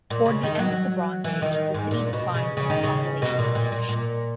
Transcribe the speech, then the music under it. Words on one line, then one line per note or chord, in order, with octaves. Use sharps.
Toward the end of the Bronze Age, the city declined and its population diminished.
A#2
C#3
D#3
F#3
E3
D#3
G#2
A#2
B2
C#3
C#3
D#3
C#3
B2
A#2
A#2
A#2
A#2